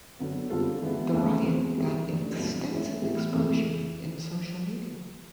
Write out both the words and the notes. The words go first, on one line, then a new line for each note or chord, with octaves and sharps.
The riot got extensive exposure in social media.
D3 F#3 B3
D3 G3 C4 F4 A4
E3 G#3 B3
D#2 C#3 E3 A3
B2 G#3 C4
E3 G3 A#3
C#3 E3 A3 D4
C2 A#2 F#3
G#2 E3 G#3 C#4 E4
A2 E3 G3 B3
F2 C3 E3 G#3